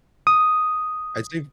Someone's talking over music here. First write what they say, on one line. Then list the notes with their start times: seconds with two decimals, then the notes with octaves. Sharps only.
I'd say
0.27 D#6